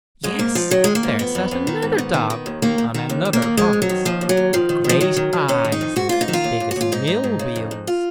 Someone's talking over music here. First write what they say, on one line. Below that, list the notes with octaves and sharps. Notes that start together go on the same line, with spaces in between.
Yes! there sat another dog on another box, with great eyes, as big as mill-wheels.
G#2 G#3
G#2 A#3
G#2 F3
D#3 F#3
D#3 G#3
A#3
G#2
F2 B3
F2
F2
D#3
G#2
D#3
D#3
D#3
D#2
D#3 A#3
D#3
D#3
D#2
D#2
A#3
D#3
F2 G#3
F2
F#3
D#3
D#2 F3
D#2
F#3
D#2
D#3 F3
D#3
D#3
F3
D#3 F#3
D#3
D#3
D#3 C#4
D#3
D#4
F2
G#2 F#4
G#2 F4
D#4
D#3
F4
D#2
D#2
F#4
D#2 F4
G#2 D#4
G#2
G#2
C#3
F2
F2
F4